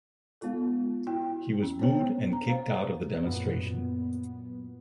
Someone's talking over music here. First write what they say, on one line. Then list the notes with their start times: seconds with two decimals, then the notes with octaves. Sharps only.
He was booed and kicked out of the demonstration.
0.41 G#3 B3 D#4 F4 A4
1.07 E4 F#4 G5
1.63 C#4
1.79 B3 C#4 D4 C5 C#5 G5
2.29 D4 A#5
2.47 C5 F5
3.23 F#2 A#2 B3